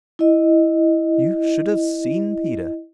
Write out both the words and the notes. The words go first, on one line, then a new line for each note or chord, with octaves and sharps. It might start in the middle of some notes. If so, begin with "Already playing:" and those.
You should have seen Peter.
E4 D#5